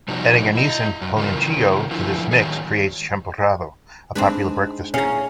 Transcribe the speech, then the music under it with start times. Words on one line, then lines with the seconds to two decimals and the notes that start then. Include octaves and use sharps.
Adding anise and "piloncillo" to this mix creates "champurrado", a popular breakfast drink.
0.08 C3 F3 G3 D#4 F#4
0.55 E4 D#5
1.01 F#2
1.17 C#3 E3 F4 A#4
1.91 D3 F3 E4
2.31 D#3 F#3 G#4
4.15 G#3 C4 D4 D#4 B4
4.94 C#4 E4 G#4 F5 A#5